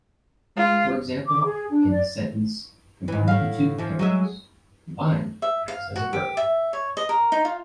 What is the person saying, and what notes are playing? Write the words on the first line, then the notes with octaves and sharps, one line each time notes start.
For example, in the sentence "Combine the two chemicals," "combine" acts as a verb.
G#3 F4
D6
G#4
D4
D5
G#2 E3
A2 F5
E3 F3
F#3 G#3 E5
E5
F5
F#4
G4
E5
C#5
D#5
A#4
D#4
F4